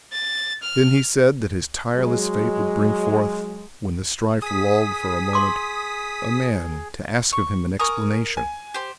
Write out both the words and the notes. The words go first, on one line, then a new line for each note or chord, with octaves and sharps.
But then he said that his tireless fate would bring forth, when the strife lulled for a moment, a man to ask of him an explanation.
A6
F6
F#3 G#3
G#4 D#6 B6
C6 D6
C#6
A#4 G#5 C#6 D#6
G#5
G4 C5